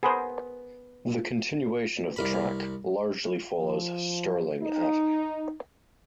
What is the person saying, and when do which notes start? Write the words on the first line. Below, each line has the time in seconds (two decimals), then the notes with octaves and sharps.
The continuation of the track largely follows Sterling Avenue.
0.03 B3 G#4 A#4 C5
2.16 C2 A#4 B5
3.58 F3
4.61 D#4